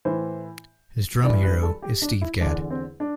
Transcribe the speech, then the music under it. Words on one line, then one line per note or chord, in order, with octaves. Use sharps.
His drum hero is Steve Gadd.
A2 E3 C5
G2 E3 D5
B4
A4
G4
D4
E4
E2 D3 D4
C4
D4